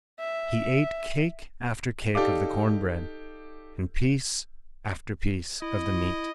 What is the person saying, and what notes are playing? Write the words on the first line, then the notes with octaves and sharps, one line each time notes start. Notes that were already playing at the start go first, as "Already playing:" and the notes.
He ate cake after cake of the corn bread and piece after piece of the meat.
E5
D#4 G4 A4 D5 F5 D6
E4 D#5